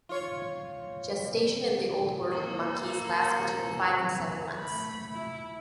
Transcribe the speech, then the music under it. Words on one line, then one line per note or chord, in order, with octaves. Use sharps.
Gestation in the Old World monkeys lasts between five and seven months.
F4 C#5
A#3 A4
A3 B5
E4